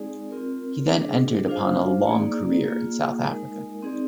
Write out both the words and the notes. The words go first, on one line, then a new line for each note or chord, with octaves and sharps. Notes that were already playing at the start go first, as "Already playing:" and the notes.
He then entered upon a long career in South Africa.
Already playing: G#3 C4 D#4 G#4 D5
C4 F4 A#4
D4 G#4 D#5
D4 F4 C5 F5
A#3 D#4 G#4 D5
A#3 F4 G#4
G#3 D#4 A#4 D#5
C4 D#4 G#4 D5